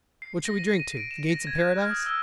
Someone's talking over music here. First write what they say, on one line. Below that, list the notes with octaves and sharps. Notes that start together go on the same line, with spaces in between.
What shall we drink to? The gates of paradise?
C7
A#6
D#7
D#7
D7
E7
A#6
G#6
F#6
F6
D#6
E6